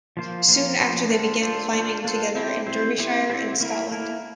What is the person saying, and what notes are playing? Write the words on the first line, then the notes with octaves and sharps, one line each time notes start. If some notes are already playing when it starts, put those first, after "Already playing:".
Soon after they began climbing together in Derbyshire and Scotland.
F3 A#3 F4 C5
F3 A#3 F4 C5
F3 A#3 F4 C5
A#3 D4 F4 A4 C5
A#3 D4 F4 A4 C5
A#3 D4 F4 A4 C5
A#3 D4 F4 A4 C5
C4 E4 G4 C5
C4 E4 G4 C5
C4 E4 G4 C5
C4 E4 G4 C5
A#3 E4 A#4
A#3 E4 A#4